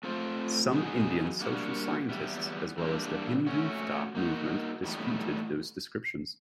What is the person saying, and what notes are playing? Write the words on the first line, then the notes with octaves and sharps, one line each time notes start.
Some Indian social scientists, as well as the Hindutva movement, dispute those descriptions.
A3 C4 F4 A4 C5
F#3 B3 D#4 G#4
G3 A#3 D4 F#4
E3 G3 B3
E3 G3 A#3 D4
A3 C#4 F#4
A#3 D#4 F#4
A2 E3 G3 B3 D#4